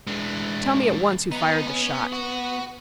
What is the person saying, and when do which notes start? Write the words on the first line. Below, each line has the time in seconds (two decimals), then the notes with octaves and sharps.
"Tell me at once who fired that shot?"
0.07 E3 G#3 A3 D4
1.32 E2 B3 D#4
1.68 C#4
2.13 F#4